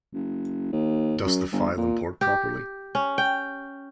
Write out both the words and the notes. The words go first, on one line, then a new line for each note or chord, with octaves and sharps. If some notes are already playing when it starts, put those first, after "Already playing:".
Does the file import properly?
F#1
D#2
F#2
G1
A#2
G4
C#4
G5